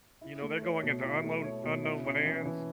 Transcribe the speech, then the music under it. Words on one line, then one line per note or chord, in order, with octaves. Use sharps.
you know, they're going into unknown unknown lands.
E4
A3
C#5
B2
E4
A3
C#5
B2
E4
C#4
E3
E3